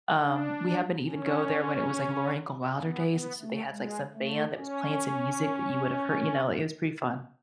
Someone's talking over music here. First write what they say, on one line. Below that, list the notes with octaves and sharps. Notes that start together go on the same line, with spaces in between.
Um, we happen to even go there when it was, like, Laura Ingalls Wilder days, and so they had, like, some band that was playing some music that you would have heard you know, it was pretty fun.
D4
C#4
B3
B3
A3
G#3
A3
C#4